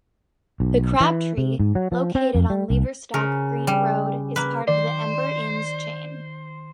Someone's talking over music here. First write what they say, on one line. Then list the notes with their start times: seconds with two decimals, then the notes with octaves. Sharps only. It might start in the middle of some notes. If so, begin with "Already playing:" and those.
The Crabtree, located on Leverstock Green Road, is part of the Ember Inns chain.
0.60 B1
1.00 E3
1.38 C3
1.59 G#2
1.75 F#3
1.92 F3
2.15 C4
2.35 F2
2.50 G3
2.70 C2
3.14 C#3 A#4
3.67 G3
4.36 A#3 B4
4.68 D#3 F#3 C5 D5 G5